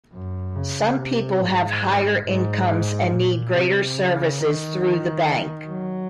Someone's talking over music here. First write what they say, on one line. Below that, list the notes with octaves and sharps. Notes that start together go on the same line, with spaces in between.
Some people have higher incomes and need greater services through the bank.
F#2
C#3
C3
G#2
G#2
A#2
C3
C#3
D#3
F#3